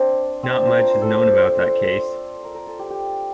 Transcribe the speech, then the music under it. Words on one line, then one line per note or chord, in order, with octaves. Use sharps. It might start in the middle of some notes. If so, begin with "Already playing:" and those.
Not much is known about that case.
Already playing: C4 D4
C4
D4
F4
A#4
C5
A4
C5
D5
C5
A#4
A#4
A4
G4
G4